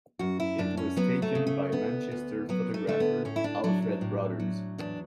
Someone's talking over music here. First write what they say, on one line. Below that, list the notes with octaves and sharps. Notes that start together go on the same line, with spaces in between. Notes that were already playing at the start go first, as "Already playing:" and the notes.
It was taken by Manchester photographer Alfred Brothers.
F#2 F#4
E4
F#2 D4
C#4
F#3 B3
A3
C#3
A3
D2 B3
D2
F#3 B3
A3
D3 A3
B3
A2 C#4
E4
D4
F#3 D4
D4
A2
F#3
E2 D4